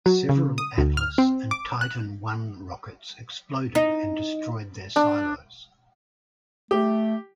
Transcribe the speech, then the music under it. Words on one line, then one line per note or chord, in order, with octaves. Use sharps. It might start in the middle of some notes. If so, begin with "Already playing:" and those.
Several Atlas and Titan I rockets exploded and destroyed their silos.
F#3
C#3
D#6
D2
F6
C4
D6
F#6
D#4
D4
A3 G4